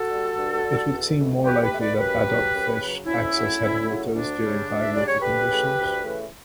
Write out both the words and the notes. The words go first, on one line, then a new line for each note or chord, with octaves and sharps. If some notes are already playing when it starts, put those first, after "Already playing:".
It would seem more likely that adult fish access headwaters during high water conditions.
Already playing: F#4 A4
D3 G3
G2
D3 G3
E2
B2 A3
E2 G4 B4
G4 B4
B2 A3 E5
B4 D5
F#2 G4 B4
C#3 F#3
F#2
C#3 F#3
D2 C#4 E4
C#3 F#3 A3
D2
C#3 F#3 A3
D2 D4
C#3 G3
D2
E5
C#3 G3 D5
C#5
D2 G4 B4
C#3 E3 A3
D2
C#3 E3 A3